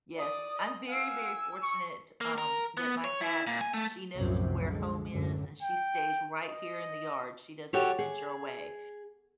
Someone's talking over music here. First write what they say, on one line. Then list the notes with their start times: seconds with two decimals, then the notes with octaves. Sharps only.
Yes. I'm very, very fortunate, um, that my cat she knows where home is, and she stays right here in the yard. She doesn't venture away.
0.15 D5 D#6
0.56 D#5
0.88 F5 F#5 G#5 E6
1.62 C#6
2.21 A#3
2.38 A#4
2.77 B3
3.04 C#5
3.21 E4
3.47 A#2
3.61 G#5
3.74 A3
4.16 C2 F#2 A2 C3 F3 F#3
4.66 D3 G#3
5.11 F#2 A2 D3
5.63 G5
6.45 D#5
7.73 F#4 G4 A4 C#5
7.99 G#4